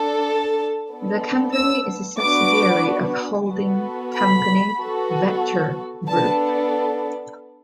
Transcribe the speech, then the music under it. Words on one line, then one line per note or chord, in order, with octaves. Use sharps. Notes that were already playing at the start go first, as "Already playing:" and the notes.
The company is a subsidiary of holding company Vector Group.
Already playing: D4 A4
A5
B3 D4 A4
E6
B3 D4 F#4 D6
B3 F#4 A4
B5
B3 F#4 A4
B3 D4 A4 A5